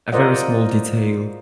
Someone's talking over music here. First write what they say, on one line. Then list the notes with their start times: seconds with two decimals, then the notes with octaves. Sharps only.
A very small detail.
0.12 F4 A#4 C5 D5 D#5 F#5